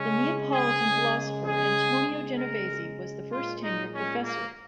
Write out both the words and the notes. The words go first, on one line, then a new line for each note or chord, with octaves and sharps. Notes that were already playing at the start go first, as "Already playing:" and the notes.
The Neapolitan philosopher Antonio Genovesi was the first tenured professor.
Already playing: C#3 G#3 C#4
G#4
C#3 G#3
G#4
C#3 G#3
A#4
A#2 G#3 F4
D#4
C#4
A#3